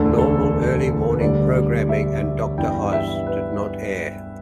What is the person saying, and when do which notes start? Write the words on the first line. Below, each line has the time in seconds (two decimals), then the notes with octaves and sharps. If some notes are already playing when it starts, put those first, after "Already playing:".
Normal early morning programming and "Doctor Oz" did not air.
Already playing: E1 D2 D3 A4
0.18 A4
1.11 B4
1.21 D2 D3 G3 D5
1.89 E5
2.58 G2 E3 B3 G5
2.92 E5
3.26 B4